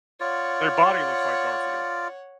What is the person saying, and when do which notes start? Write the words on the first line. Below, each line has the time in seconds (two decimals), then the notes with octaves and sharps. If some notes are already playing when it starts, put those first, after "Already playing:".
their body looks like Garfield.
0.20 F4 C#5 D5 F#5